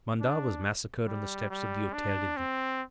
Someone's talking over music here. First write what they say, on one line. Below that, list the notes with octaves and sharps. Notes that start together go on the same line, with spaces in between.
Mandat was massacred on the steps of the Hotel-de-Ville.
D4
G3
G3
D4
C4